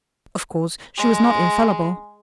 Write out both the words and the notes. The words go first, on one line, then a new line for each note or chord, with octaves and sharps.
Of course she was not infallible.
G#3